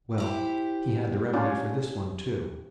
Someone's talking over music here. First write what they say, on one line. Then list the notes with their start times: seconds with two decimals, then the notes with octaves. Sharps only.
Well, he had the remedy for this one, too.
0.18 E4 G4 C5
1.33 C#4 D4 F4